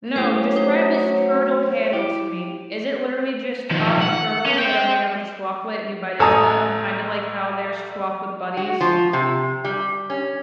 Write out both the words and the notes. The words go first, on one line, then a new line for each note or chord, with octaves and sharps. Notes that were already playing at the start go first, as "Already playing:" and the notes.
No, describe this turtle candle to me. Is it literally just, um, turtles that are made out of chocolate and you bite into them, kinda like how there's chocolate bunnies?
F#3 A3 C#4 E4 G4 C5
D#4 C5 D#6
C5 C#5
E4 G4
D#3 F3
F#5
C#4
C5 G5
A1 A4 G#5 A#5 D#6
F#4
F3
C3
G3
C#4